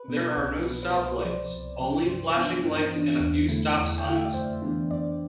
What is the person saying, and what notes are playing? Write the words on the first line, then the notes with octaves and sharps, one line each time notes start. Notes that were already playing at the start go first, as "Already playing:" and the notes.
There are no stop lights, only flashing lights and a few stop signs.
Already playing: B4
B2 B3
C2
B2 B3
B4
C2 C5
C3 F3 D5
C2
C3 F3
G2 C5
E3 B3 D4
G2
E3 B3 D4
E2
D3 A3 E4
E2
G5
D3 A3 E4 F5
E5
D5
F2 C5
E3 B3 D4
F2 D5